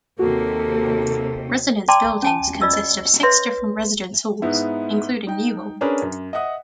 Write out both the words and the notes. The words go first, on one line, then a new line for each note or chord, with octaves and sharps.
Residence buildings consist of six different residence halls, including New Hall.
D#2 C3 A#3 F#4 A4
D5 G5 A5 A#5 C6 D6
C#4 G#5 A5
F4 D5 D#5 E6
D#5
B4 C#5 E5 C6
G#2 B3 D#4 E4
D#4 G5
C#4 D4 G#4 A#4 B4
F#2
D#5 E5 F#5 D#6